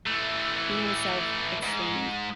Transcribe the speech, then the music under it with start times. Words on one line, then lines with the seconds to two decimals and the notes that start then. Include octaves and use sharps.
He himself abstained.
0.07 E3 A3
1.63 G#2